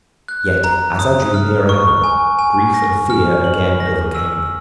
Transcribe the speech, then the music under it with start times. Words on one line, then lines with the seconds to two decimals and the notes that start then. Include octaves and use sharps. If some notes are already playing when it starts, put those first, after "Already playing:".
Yet, as I drew nearer home, grief and fear again overcame me.
0.28 F#6
0.64 A#5
0.99 D#6
1.34 F6
1.69 C#6
2.04 G#5
2.39 G#5
2.74 A#6
3.10 F6
3.44 F#7
3.80 A#6
4.15 E6